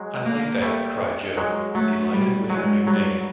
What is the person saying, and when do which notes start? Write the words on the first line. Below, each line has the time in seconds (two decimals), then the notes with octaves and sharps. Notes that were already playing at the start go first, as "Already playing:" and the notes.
"I like that," cried Jo, delighted with her new name.
Already playing: F#3 G#3
0.25 A#3
0.62 G3 A3
1.37 F#3 G#3
1.75 F#3 A3
2.13 G3
2.50 F#3 G#3
2.87 F#3 G3